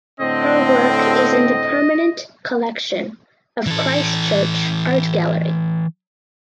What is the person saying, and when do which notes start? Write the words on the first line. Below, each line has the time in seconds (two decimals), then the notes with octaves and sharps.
Her work is in the permanent collection of Christchurch Art Gallery.
0.20 A2 D3 C4 D#5
3.67 E3 A4